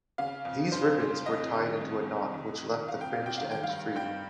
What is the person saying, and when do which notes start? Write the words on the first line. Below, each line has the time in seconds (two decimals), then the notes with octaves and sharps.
These ribbons were tied into a knot which left the fringed end free.
0.18 C#3 F5
0.45 F2
0.72 F2 C5
1.00 C#3
1.26 F2 D#5
1.54 D#3
1.81 F2
2.07 C3
2.34 F2
2.61 D#3
2.88 F2 F5
3.01 G5
3.13 C3 F5
3.26 G5
3.38 D#3 F5
3.51 G5
3.64 F5
3.69 G2
3.96 G2 G5